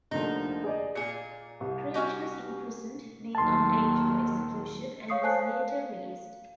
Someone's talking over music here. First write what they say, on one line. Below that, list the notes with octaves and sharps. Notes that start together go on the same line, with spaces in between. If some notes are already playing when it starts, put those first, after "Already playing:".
Craig was imprisoned, being under-age for execution, and was later released.
F1 D3 F3 A#3 D#4
G#4 D5 D#5
A#2 G#4 C#7
C2
C#4 F#4 G4
D#2 A#2 F#3 A5 C6
C#5 F5 C#6 D#6 C7 C#7
C5 C#5 G#5 A5 F#6 C7
F5